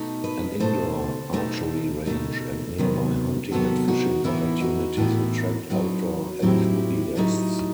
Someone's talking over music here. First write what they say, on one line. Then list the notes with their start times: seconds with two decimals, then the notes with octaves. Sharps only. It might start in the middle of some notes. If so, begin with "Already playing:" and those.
An indoor archery range and nearby hunting and fishing opportunities attract outdoor enthusiasts.
Already playing: B2 A3 D#4
0.24 B4 D#5
0.60 B2 A3 D#4 A4 C5
1.33 B2 A3 D#4
2.06 B2 A3 D#4
2.78 C3 D#3 F#3 B3
3.51 C3 D#3 F#3 B3 F#4 A4
3.88 D#4 F#4
4.24 A2 E3 B3 D#4 E4
4.60 D#4 F#4
4.97 A2 E3 B3 D#4
5.70 A2 F#3 C4 D#4
6.42 A2 F#3 C4 D#4 E4 G4
7.16 A2 F#3 A3 C4 D#4